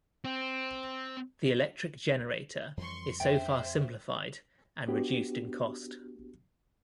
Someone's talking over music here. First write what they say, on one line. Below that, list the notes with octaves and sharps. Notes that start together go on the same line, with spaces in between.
The electric generator is so far simplified, and reduced in cost.
C4
F2 E3 G3 C6 C#6
F2 C#3 C4 C5 E5 G5
B3 D4 F#4 G4